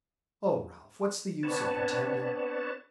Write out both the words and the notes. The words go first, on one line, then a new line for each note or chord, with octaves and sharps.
Oh, Ralph, what's the use of pretending?
B3 C4 D4 B4 C#5 A5